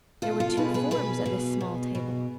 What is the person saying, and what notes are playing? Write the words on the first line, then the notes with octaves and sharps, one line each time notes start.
There were two forms at this small table.
B2 F4 A4
F4 A4
B2 G#4 B4
G#4 B4
B2 G#4 B4
B2
B2
B2